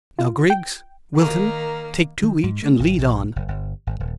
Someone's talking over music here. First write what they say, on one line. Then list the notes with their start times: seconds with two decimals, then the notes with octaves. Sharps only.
Now, Griggs--Wilton; take two each, and lead on.
0.19 F4
0.50 G5
1.16 D#3 A#3 A#4
2.23 D#3
2.43 G#2
2.62 A3
2.79 G#1
2.98 A#1
3.36 F#1
3.48 G1
3.87 G#1
4.00 D#1